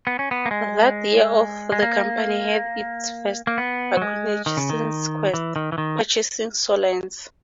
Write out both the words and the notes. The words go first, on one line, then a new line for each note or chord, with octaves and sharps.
That year the company had its first acquisition since Quest, purchasing Soliance.
B3
C#4
B3
A#3
G#3
G#3
A#3
A#3
B3
F#3
G#3
D#3
C#3
D#3
E3
D#3
E3
D#3